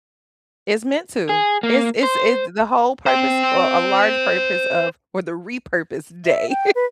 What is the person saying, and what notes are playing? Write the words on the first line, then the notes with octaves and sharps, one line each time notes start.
It's meant to, it's it's it's the whole purpose, or a large purpose of or the repurpose day,
G#4
A#3
C5
C5 G5
E5
G5
B4